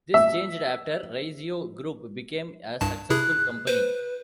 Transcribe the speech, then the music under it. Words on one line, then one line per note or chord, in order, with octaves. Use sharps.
This changed after Raisio Group became a successful company.
E5
C2 G2 A5
C3 E4 G#4 F#6
B4 C5